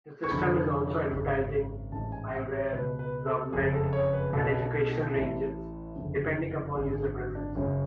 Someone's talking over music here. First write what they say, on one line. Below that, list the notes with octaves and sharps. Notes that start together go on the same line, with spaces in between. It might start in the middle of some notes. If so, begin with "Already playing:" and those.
The system is also advertising, spyware, government and educational ranges, depending upon user preferences.
C#6
F1 F2 D3 B5
G#1 F#2 C#3
A1 G#2 A5
G#5
F#5
C#5
C#2 B2 B4
B4
A4
F#1 F2 C#3 G#4
A4
C#5
B4
B1 B2 A4
A1 A2
F#1 F2 D3
G#1 F#2 D3 G#4
G#4
F#4
D4
F#1 F#2 C#3 C#4